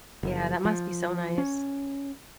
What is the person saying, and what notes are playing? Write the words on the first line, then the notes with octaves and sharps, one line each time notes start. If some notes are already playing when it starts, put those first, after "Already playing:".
Yeah, that must be so nice.
F#1
F3
C#4